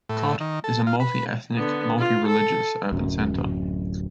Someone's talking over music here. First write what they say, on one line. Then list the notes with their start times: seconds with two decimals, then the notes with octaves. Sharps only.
Kotte is a multi-ethnic, multi-religious urban centre.
0.09 A2
0.40 D#3
0.64 A4
0.87 F4
1.00 B4
1.55 D3 B3
1.98 F4
2.28 A4
2.93 D1 F#2